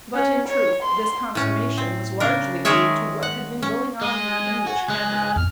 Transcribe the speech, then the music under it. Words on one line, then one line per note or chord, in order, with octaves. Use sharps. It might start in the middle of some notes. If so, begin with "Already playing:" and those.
But, in truth, this consummation was largely due to what had been going on in the English Cabinet.
C#4
C#5
C6
A2 C#4
C4
C#3 D4 A#4
D#3 G#3 G#4 A#4 C#5 E5
F#5
C#4
G#3 D#5
G#5
F#4
C#2 G#3 F#6
E2 F6